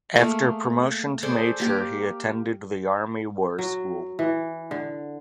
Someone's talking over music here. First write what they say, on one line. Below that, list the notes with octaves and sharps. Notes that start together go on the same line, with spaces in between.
After promotion to Major he attended the Army War School.
A3 A#3 G#4
G#4 A4 C5 D5
A#3 G4 D6
F#3
E3
D3